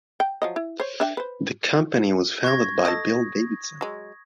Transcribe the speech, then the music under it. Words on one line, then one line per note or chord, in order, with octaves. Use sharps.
The company was founded by Bill Davidson.
G5
F3 F#3 D#5
E4
C5 C#5
D4 E5 G5
B4 C5
C#6 G#6 A#6
A4 D#5 D#6 A#6
F#3 G#3